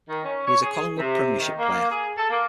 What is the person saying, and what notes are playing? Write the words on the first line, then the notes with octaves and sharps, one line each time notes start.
He is a Collingwood Premiership player.
D#3
C#4
C#5
G#4
C3
D#3
A#3
G#4
A4
A#3